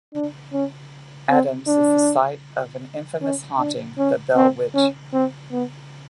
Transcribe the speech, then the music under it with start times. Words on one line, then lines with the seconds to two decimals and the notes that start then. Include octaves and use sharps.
Adams is the site of an infamous haunting, the Bell Witch.
0.15 D4
0.53 C#4
1.29 C4
1.68 D4
3.22 C#4
3.59 D4
3.98 C#4
4.36 C4
4.75 C#4
5.13 C4
5.52 B3